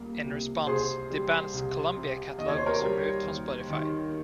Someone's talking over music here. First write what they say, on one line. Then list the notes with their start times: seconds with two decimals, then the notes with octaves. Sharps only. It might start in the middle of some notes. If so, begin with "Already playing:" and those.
In response, the band's Columbia catalog was removed from Spotify.
Already playing: C#2 G3 A#3
0.24 C3
0.67 C2 G#4 C5
1.10 G3
1.53 C2
1.96 C3
2.38 D#2 D#5
2.48 C#5
2.57 C5
2.66 A#4 C#5
2.82 G3
3.24 D#2
3.67 D#3